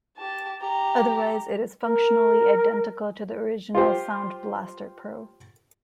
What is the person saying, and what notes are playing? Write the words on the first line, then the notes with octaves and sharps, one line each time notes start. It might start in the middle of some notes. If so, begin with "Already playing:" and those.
Otherwise it is functionally identical to the original Sound Blaster Pro.
G4 A5
G4 A#5
A#4
F4 G4 C5 G5